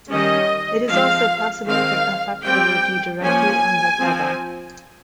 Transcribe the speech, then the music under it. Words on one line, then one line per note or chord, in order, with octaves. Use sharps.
It is also possible to puff up the roti directly on the tava.
D#3 G3 C#4 D#5
F3 G#3 C4 F5
D#3 G#3 C4 F5
G3 C4 G5
F3 A#3 C#4 G#5
F3 C4